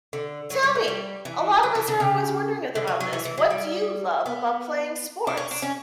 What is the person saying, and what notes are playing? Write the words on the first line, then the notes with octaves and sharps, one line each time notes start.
tell me, a lot of us are always wondering a the about this. What do you love about playing sports?
D3
F#3
G3
A3
G3
E3
F#3
E3
D3
C#3
D3
F#3
F#3
E3
E3
F#3
G3
B3
D4
C#4
D4
C#4